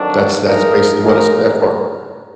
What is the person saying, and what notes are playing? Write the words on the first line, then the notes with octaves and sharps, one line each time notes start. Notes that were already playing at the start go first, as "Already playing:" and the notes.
That's that's basically what it's there for.
Already playing: F2 D#3 F#3 D4
F3 G#3 D#4 A#4
F3 G#3 D#4 A#4